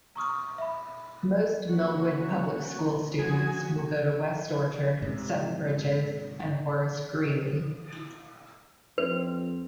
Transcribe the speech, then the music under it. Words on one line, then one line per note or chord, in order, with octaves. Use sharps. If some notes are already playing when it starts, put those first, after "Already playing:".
Most Millwood public school students will go to Westorchard, Seven Bridges, and Horace Greeley.
A#5 C#6 D#6 F6
E5 B5
A#3 C#4 F#4
D3 F3 F#4 G#4 G#5
G#2 C3
F2 C4 B4